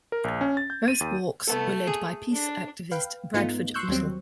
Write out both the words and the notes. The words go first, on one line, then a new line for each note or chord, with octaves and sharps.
Both walks were led by peace activist Bradford Lyttle.
A#4
A#1
C#4
A6
G6
D#7
D#2
C2 A3 B3 A4
G#4
D4
B4 F5 G5
G#2 A3 B3 D#4 F4
C6 C#6 E6 F#6 G6
D#2 F#3 G3 C4